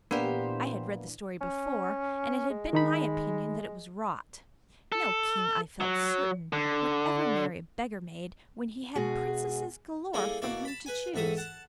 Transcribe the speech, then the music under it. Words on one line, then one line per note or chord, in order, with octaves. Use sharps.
I had read the story before, and it had been my opinion that it was "rot." No king, I felt certain, would ever marry a beggar maid when he had princesses galore from whom to choose.
A#2 E3 A#3 B3 D4 G4 C5 D5
C#4
G#3
D#3 D#4 B5
A4
F#3
D3
B2 G#3 F#4 G#4
G3 A#3 E4 G#4 A4
B2 A#3 E4 D5
A5 B5
B4 G#5
A1 G#2 A4 E5 D#6
F#5 A5